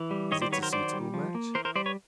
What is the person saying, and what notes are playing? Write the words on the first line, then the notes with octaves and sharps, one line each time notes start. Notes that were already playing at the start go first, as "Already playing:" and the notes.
"Is it a suitable match?"
Already playing: E3
G3
D#3 C#5 D#5
C5 D5
F#3 B4 C#5
A#4 C5
D#3 C5 D5
G3
F3
A#3
E3 A#4 C5
A#4 C5
G3 C5 D5
B4 C#5